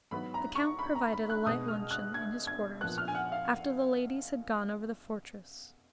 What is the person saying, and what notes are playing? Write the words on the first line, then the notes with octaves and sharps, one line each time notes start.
The count provided a light luncheon in his quarters after the ladies had gone over the fortress.
G#2 F#3 B3 B5
A#5
C#6
B5
A#5
B5
F#6
B2 G#3 B3 D#6
F6
F#6
G#6
G#6
A#2 F3 B3 F#6
F6
G#5
F#5
F5